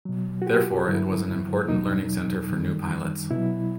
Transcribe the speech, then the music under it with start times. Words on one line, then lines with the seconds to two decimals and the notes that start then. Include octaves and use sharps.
Therefore, it was an important learning centre for new pilots.
0.05 B2 F#3
0.42 F#4
0.46 F4 G4
0.87 G2 D3 F#3 E4
1.68 E2 B2 F#3 D#4
2.49 F#2 D#3 G3
3.31 B2 F#3 E4